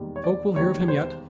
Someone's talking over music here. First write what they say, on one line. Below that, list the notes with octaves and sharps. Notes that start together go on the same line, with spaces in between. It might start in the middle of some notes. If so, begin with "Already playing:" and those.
"Folk will hear of him yet."
Already playing: E1 D#2 D#3 G3
C#5
D5
E1 D#2 D#3 G3 C#5
C5